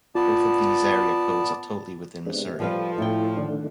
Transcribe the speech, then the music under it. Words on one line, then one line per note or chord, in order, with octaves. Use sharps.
Both of these area codes are totally within Missouri.
B3 F4 D5 A5
C3 G#3 B3 D4
F3 G3 A4 B4 F5
A2 E4 G5
D3 D#3 A3 D4